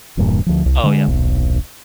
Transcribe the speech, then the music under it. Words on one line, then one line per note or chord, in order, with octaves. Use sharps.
Oh, yeah.
E1 E2 G2 A#2
D2 F3
C2
D3 G#3
D#1 B1